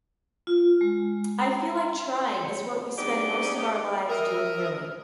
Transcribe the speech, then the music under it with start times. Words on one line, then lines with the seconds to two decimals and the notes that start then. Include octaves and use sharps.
I feel like trying is what we spend most of our lives doing really.
0.47 F4
0.81 G#3
1.42 A#5
1.77 C6
2.34 C#5
2.97 G3 B3 D4 D#4 G4 G#4
4.09 A#4 D#5 E5